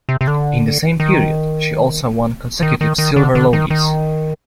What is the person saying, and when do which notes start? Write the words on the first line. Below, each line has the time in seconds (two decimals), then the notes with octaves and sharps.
In the same period, she also won consecutive Silver Logies.
0.09 C3
0.21 C3
0.27 D3
1.00 D#3
2.63 D#3
2.81 D#3
2.98 D#3
3.16 D3
3.35 D3
3.53 D#3
3.70 D#3